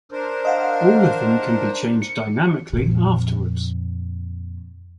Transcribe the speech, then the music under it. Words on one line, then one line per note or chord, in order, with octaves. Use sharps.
All of them can be changed dynamically afterwards.
D4 A#4 C5
D#5 F5 F#5
C#7
F2 A#2